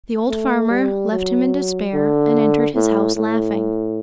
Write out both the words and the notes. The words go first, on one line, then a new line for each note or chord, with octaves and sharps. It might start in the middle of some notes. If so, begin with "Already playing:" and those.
The old farmer left him in despair, and entered his house laughing.
A3
G3
F#3
D3
A2
A2